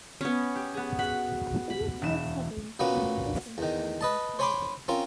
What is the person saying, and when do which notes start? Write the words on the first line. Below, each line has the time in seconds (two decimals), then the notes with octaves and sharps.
These hair coverings come in different shapes and sizes.
0.21 B3 C#4 C#6
0.55 G4
0.74 B3 G#4
0.99 F#4 B5
1.70 B5
2.02 E1 E3 E7
2.79 A#2 A#3 B3 C#4 F#4
3.58 E2 D#3
4.01 B4 D#5 A5
4.39 C5 C#5 G#5 B5 C6 D6
4.88 C4 C#4 F4 A#4